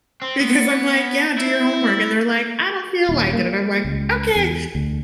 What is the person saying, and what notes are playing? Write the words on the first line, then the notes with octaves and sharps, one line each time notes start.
because I'm like, "Yeah, do your homework," and they're like, "I don't feel like it," and I'm like, "Okay." Like
C4
B3
E4
D#1
A#3
C#2
E2
D2